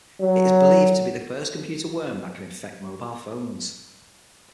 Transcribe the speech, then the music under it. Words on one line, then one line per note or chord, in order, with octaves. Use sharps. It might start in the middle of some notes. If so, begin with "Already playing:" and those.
It is believed to be the first computer worm that can infect mobile phones.
F#3